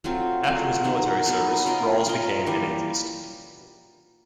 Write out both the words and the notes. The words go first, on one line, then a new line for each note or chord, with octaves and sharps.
After his military service, Rawls became an atheist.
F#3 A3 C4 F4
F#3 A3 C4 F4
F#3 B3 D#4 G#4
F#3 B3 D#4 G#4
C#4 F4 A#4 D#5
C#4 F4 A#4 D#5
E3 G3 A#3